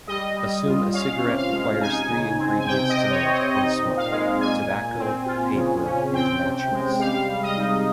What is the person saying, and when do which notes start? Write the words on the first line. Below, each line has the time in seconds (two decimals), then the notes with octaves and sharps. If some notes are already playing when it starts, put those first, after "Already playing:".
Assume a cigarette requires three ingredients to make and smoke: tobacco, paper, and matches.
0.07 G3 D#5
0.36 G3
0.66 F4
0.94 C#4 F5
1.22 C3
1.37 F5
1.52 G#3
1.81 D#4 G#5
2.10 C#3
2.38 C4
2.59 G#5
2.67 C3 G5
2.89 D#5
2.96 C3
3.10 C#5
3.24 C4
3.32 D#5
3.53 D#4 D#5
3.83 A#2
3.97 F5
4.11 G#3
4.40 A#2 G#5
4.69 A#2
4.98 C4
5.26 F4
5.55 C#3
5.84 C#4
6.14 C4 G5
6.43 C3
6.72 G#3
6.99 G3 F5
7.29 G3
7.43 D#5
7.57 D#4